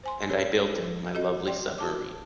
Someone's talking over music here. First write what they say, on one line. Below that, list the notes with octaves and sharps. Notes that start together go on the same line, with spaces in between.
And I built it - my lovely submarine.
C5 G#5 C6
C#4 G4 G#4 A#4 C#5
F3
F#4 A4 D#5
D5 G5 C6
F#4 A5 D6